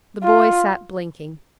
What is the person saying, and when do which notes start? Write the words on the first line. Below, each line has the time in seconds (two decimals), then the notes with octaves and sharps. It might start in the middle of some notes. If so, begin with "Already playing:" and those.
The boy sat blinking.
0.23 F4